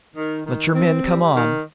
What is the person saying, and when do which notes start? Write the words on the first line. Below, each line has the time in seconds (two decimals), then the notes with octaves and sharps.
Let your men come on.
0.16 D#3
0.46 D#3
0.76 C4
1.05 G3
1.35 D#3